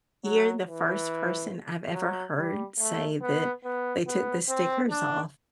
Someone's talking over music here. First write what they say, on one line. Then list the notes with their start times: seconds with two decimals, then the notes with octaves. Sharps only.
You're the first person I've ever heard say that they took the stickers off
0.24 F#3
0.67 E3
1.94 F#3
2.37 G3
2.79 A3
3.21 B3
3.64 B3
4.07 B3
4.49 C4
4.90 D4